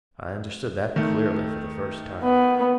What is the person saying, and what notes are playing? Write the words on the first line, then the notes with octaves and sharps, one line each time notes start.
I understood that clearly, for the first time.
D#3 A3
B3